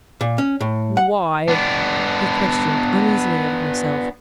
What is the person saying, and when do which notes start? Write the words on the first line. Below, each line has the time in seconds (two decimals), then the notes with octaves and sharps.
"Why?" he questioned uneasily of himself.
0.21 A#2
0.38 C#4
0.61 A2
0.97 F#5
1.48 B3 D4